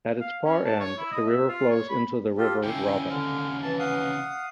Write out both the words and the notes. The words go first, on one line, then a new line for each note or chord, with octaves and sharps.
At its far end, the river flows into the River Rother.
F5
C#4
A5
C#5
E4
D#5
E5
F4
C#5
B5
F4 G4 A4
D#2 C#3 E4 G5
D3 F6
E3 A5
F5 F#5 D#6